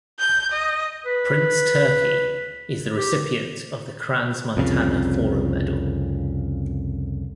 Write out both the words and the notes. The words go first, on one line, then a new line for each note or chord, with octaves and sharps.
Prince Turki is the recipient of the Crans Montana Forum medal.
G6
D#5
B4
G4
C2 F2 C#3